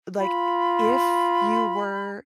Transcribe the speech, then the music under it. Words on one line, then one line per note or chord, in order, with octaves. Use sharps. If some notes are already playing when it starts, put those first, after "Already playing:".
like, if you were
F4 B5